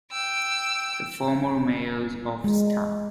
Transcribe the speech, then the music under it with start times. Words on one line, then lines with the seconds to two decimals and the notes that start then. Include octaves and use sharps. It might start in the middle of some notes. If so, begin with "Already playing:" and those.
The former mayors of Sta.
0.12 G5 E6
2.44 G#3